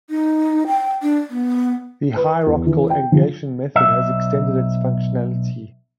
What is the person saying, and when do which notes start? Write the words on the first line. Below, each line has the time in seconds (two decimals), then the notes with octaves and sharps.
The Hierarchical Aggregation method has extended its functionality.
0.10 D#4
0.67 G5
1.02 D4
1.30 B3
2.16 B4
2.46 E2
2.66 E3
2.90 G5
3.12 F3
3.76 B1 E5